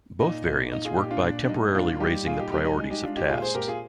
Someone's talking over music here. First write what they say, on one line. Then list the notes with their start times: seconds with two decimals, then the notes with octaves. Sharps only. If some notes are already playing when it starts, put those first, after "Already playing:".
Both variants work by temporarily raising the priorities of tasks.
0.20 A#2 D#4
0.46 A#2 D#4
0.72 A#2 D#4
0.85 F4 G#4
0.97 A#2 D#4 G4
1.10 D4 F4
1.23 A#2 D4
1.44 D4
1.49 G3 D#4
1.74 A#2 D4 F4
1.92 F4
2.00 G3 D#4 G4
2.26 A#2 F4 G#4
2.39 D#4 G4
2.52 G3 D#4 G4
2.65 D#4
2.77 G#3 D#4
2.90 D#4 G4
3.03 G#3 D4 F4
3.16 D#4 G4
3.29 A#2 F4 G#4
3.42 G#4 C5
3.55 A#2 G4 A#4
3.68 F4 G#4